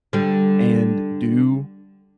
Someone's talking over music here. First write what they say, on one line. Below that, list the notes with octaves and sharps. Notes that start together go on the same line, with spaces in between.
and do
D3 G3